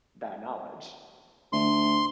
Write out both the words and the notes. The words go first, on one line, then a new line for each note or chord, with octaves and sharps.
that knowledge.
D2 C6